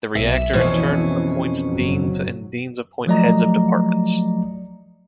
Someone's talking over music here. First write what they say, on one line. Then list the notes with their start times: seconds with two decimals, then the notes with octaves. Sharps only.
The rector in turn appoints deans and deans appoint heads of departments.
0.15 B1 E5
0.53 F2 B2 E3 C#4
1.70 F#1 F#3
3.07 F3 F#3 A3 D5 D#5 A#5